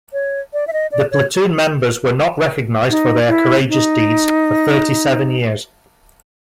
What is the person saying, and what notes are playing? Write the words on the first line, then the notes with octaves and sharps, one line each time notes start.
The platoon members were not recognized for their courageous deeds for thirty-seven years.
C#5
D5
E5
D#5
D5
C#5
D#4
E4
D#4